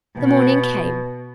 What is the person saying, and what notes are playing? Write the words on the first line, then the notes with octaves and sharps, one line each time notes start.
The morning came.
B2